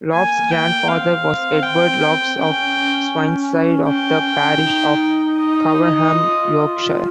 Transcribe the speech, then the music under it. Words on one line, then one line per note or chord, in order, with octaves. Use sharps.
Loftus's grandfather was Edward Loftus of Swineside, of the parish of Coverham, Yorkshire.
A#3 G#5
G5
C4 F5
G5
C#4 G5
G5
F4
D#4
D#5
F4